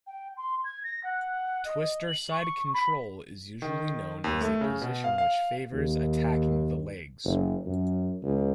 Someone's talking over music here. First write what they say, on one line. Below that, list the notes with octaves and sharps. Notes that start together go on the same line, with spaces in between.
Twister side control is usually known as a position which favors attacking the legs.
G5
C6
G#6
A#6
F#5
D#5
F#7
C#6
B5
D#3
D#2
A3
C#3
B2
F5
F5
D#2
F#1
F#2
C#2